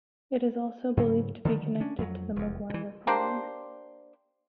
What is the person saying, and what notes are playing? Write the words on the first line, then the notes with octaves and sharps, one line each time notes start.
It is also believed to be connected to the Maguire clan.
G#2 C#3 F#3
D3 D#3 F3 G3
C#4 D4
F2 F#3
F1 E2
B2 E3
A#3 D4 G4 C5